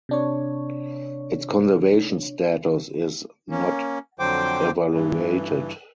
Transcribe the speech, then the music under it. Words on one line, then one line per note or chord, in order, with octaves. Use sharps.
Its conservation status is "Not Evaluated".
C3 D4 C#5
A#3 C#4
F2 D3 F#3 C5 G5 D6
G2 E3